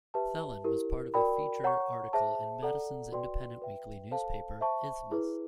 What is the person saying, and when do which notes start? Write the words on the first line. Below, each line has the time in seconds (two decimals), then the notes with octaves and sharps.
Thelen was part of a feature article in Madison's independent weekly newspaper, "Isthmus".
0.14 G4 B4 E5 A5
0.64 E4 G4 A#4
1.14 F#4 A#4 D5 G5 B5
1.64 C#5 F#5 A#5 C#6
2.13 G#4 C5 E5 A5
2.63 A4 D5 F#5 A#5
3.12 F#4 B4 D5 G5 C6
3.62 B4 E5 G5
4.11 A4 C5 F5 A5
4.61 C5 E5 A5 C#6
5.11 E4 G#4 B4